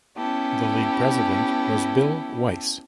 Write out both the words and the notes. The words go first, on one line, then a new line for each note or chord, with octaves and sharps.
The league president was Bill Weiss.
B3 C#4 E4 G4 A5